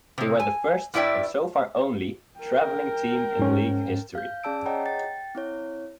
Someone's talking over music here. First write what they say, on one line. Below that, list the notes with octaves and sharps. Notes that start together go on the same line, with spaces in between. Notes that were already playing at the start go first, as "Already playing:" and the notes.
They were the first, and so far only, "traveling team" in league history.
C3 G#3
G#5
G2 G3 E4 D5 E5 G5
A#4 G5
G#2 C#4
F5 G6
C#4 G#4 D5 A5 E6 D7
G#4 C#5 D#5 F#5 G5 A#5
G5 A6
C4 E4 C#5